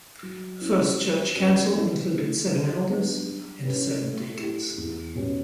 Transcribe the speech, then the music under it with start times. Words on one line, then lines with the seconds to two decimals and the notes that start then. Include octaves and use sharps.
The first church council included seven elders and seven deacons.
0.23 F#3
0.61 C#4 E4
0.99 G3
1.36 C#4 F#4 B4 D5
1.74 E3
2.12 A3 E4
2.50 F#3
2.88 B3 D4
3.26 G3
3.63 C#4 G4 B4
4.02 A3
4.40 E4 G4
4.78 E2
5.15 B2 G3 C#4 F#4